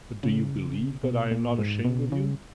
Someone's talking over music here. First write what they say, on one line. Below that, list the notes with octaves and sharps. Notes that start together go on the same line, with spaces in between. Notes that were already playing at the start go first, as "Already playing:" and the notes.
"But do you believe that I am not ashamed with you?"
C#3
B2
A#2
G#2
B2
C#3